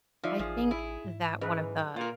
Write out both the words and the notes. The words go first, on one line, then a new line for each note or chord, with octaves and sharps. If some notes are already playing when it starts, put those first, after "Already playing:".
I think that one of the
F3 D#4 D5 E5
A1 F3 G#4
E4
G#2
F#2 E3 G#4 B4 D#5
A#2 F4 A#4